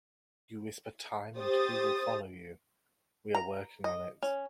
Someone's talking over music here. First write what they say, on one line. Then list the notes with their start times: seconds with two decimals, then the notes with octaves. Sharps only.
You whisper time and who will follow you?...We are working on it.
1.37 G4 C5 D#6 A6
3.35 A#5
3.84 D#5
4.22 C#4